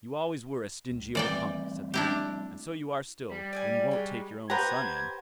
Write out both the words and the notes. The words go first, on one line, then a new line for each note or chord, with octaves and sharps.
'You always were a stingy old hunks', said the youth, 'and so you are still, when you won't take your own son in.'
C#2
E3 G3 A3 C4 D5 G5
D4 E4 G4
G3
D5 D#5 G#5
F#3 G#3
G4 B4 C5 F#5 A#5 G6 G#6